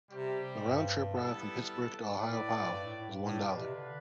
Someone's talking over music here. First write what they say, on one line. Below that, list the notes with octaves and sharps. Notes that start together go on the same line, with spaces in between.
The round trip ride from Pittsburgh to Ohiopyle was one dollar.
C3 G3 C4 G4 C5 G5
G2
G3 B3 E4 A4
A2 A3 E4 B4 D5
G2
A2
A2
G2
A2 D4 F4 B4 D5
B2
C3
D3